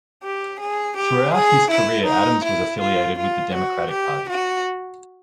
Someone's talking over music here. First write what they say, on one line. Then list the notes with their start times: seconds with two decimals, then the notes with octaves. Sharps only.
Throughout his career Adams was affiliated with the Democratic Party.
0.24 G4
0.60 G#4
0.97 G4
1.34 G#4
1.71 E4
2.07 D#4
2.44 E4
2.81 F4
3.18 F4
3.54 F#4
3.91 G4
4.28 F#4